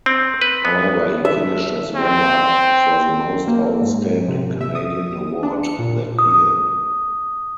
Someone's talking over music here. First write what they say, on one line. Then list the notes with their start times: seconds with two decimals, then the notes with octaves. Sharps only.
However, he finished as runner up for the Most Outstanding Canadian award that year.
0.06 C4
0.41 B4
0.65 B3
1.25 E5
1.95 C4
3.48 A#3
3.82 G#2
4.28 C3
4.61 E5
4.75 D#6
5.43 D4
5.63 C#7
5.79 A#2
6.19 D#6